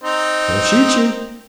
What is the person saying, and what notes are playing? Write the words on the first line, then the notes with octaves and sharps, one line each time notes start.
"He'll shoot you."
C4 D#4